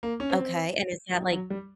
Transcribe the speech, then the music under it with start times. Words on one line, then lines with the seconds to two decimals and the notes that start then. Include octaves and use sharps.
Okay, and is that, like,
0.03 A#3
0.20 C#4
0.31 C4
1.14 F#3
1.32 F#3
1.50 G3